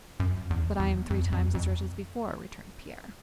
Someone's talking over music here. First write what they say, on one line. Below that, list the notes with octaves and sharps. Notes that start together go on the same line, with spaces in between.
"But I am three times as rich as before," returned Pierre.
F#2
E2
E2
F2
F2
F2